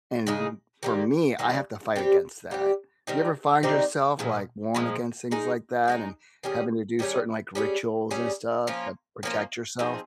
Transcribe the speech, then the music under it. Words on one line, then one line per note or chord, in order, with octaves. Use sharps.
And for me, I have to fight against that. Do you ever find yourself, like, warned against things like that and having to do certain, like, rituals and stuff to protect yourself?
C#3 G#3 D#4 G#4
D#3 G3 A#3
D#3 G3 A#3
G3 C4 G4
G3 C4 G4
D#3 G3 C4 D#4
D#3 G3 C4 D#4
A#2 F3 G#3
A#2 F3 G#3
G#3 D#4 G#4
G#3 D#4 G#4
D#3 G3 C#4 G#4
D#3 G3 C#4 G#4
G3 C#4 G#4
G3 C#4 G#4
F3 A#3 C#4 F4
F3 A#3 C#4 F4
F3 C4 D#4 G#4